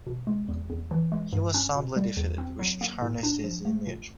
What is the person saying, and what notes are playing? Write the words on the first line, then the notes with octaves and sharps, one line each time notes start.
He was soundly defeated, which tarnished his image.
B2
G#3
E2
E2
E3
G#3
G2
C#4
B2
G3
E2
C4
F#3
A#3
A2
D4
F3
A3
A#2